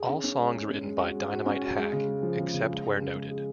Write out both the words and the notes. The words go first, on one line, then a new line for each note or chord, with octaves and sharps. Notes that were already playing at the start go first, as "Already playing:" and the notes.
All songs written by Dynamite Hack, except where noted.
Already playing: G#4
C#4
C#4
G#3
G#3
C#4
G#3
F#4
G#3
F#4
C#4
F#4
G#3
C#3
G#3
F3
C#3
C#3
G#3
C#3
C#3
G#3
G#4